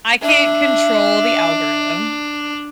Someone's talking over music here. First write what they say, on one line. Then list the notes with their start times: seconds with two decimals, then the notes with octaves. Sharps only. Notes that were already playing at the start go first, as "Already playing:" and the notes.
I can't control the algorithm,
0.23 D4 E5